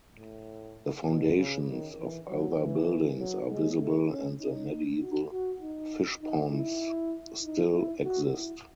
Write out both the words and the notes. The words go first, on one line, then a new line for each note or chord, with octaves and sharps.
The foundations of other buildings are visible and the medieval fishponds still exist.
A2
B2
C#3
D#3
E3
F#3
E3
F#3
G#3
A3
C#4
D#4
F#4
F#4
D#4
D#4
E4
D#4
E4
F#4
E4